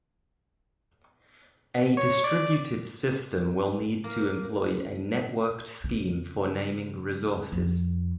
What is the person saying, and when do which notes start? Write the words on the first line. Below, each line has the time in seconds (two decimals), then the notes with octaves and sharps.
A distributed system will need to employ a networked scheme for naming resources.
1.97 C#5
2.24 D5
4.04 A#3
5.84 C#3
7.52 F2